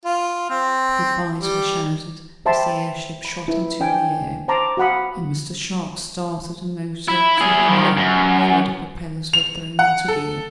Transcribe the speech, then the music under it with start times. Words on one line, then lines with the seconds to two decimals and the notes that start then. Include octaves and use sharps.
Good-bys were shouted as the airship shot into the air, and Mr. Sharp started the motor, to warm it up before the propellers were thrown into gear.
0.05 F4
0.50 C4
1.39 G3
2.46 C5 E5 G5 A5 B5 C6
3.25 B5
3.48 E4 B4
3.80 D4 G5 G#5
4.48 C5 A5 A#5 C6 D6
4.77 F#4 F5 F#5 B5 D#6
7.08 E4
7.38 E4 G#4
7.68 D#3 F3
7.97 F#2
9.33 F7
9.79 F#5
10.08 A4